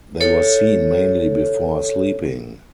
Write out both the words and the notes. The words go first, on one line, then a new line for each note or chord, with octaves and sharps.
They were seen mainly before sleeping.
A4 C#5